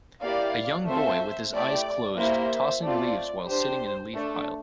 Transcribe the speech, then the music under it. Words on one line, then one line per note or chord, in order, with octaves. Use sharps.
A young boy with his eyes closed tossing leaves while sitting in a leaf pile.
A#3 E4 G4 D5 F5
A3 C4 F4 A4 C5 E5
A3 E4 G4 D5
A#3 E4 G4 C5 E5
A3 C4 F4 D5
D4 G4 C5
A3 D4 A4